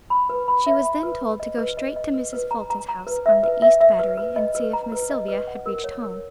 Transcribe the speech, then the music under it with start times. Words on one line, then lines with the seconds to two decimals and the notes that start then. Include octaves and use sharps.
She was then told to go straight to Mrs. Fulton's house on the East Battery and see if Miss Sylvia had reached home.
0.10 B5
0.29 B4
0.48 B5
0.66 E5
0.85 B5
1.03 B4
1.21 B4
1.40 D#5
1.58 B4
1.77 D#5
1.96 D#5
2.14 B4
2.33 B4
2.51 A#5
2.70 A#5
2.89 A#5
3.07 B4
3.26 E5
3.43 B4
3.62 E5
3.81 E5
3.99 B4
4.17 B4
4.36 D#5
4.55 B4
4.73 A#5
4.92 B4
5.10 D#5
5.28 B4
5.47 F#5
5.66 A#4
5.84 C#5
6.02 A#4